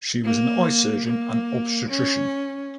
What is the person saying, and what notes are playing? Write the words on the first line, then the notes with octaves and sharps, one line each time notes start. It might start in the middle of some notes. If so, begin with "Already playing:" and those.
She was an eye surgeon and obstetrician.
A#3
A#3
C#4